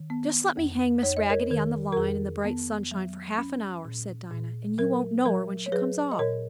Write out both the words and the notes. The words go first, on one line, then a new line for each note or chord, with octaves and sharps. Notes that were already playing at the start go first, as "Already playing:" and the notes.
"Just let me hang Miss Raggedy on the line in the bright sunshine for half an hour," said Dinah, "and you won't know her when she comes off!"
Already playing: D#3
B3
F2
F2 C#5
D#5
A#4 C#5
D#3 A#4
A#4
F2 G#4
B3
F#3
C#4
A#2
A#2
F#3 A#4
F#3 A#4
C#5
F#3 G#4 B4
D#5
A#2 A#4 C#5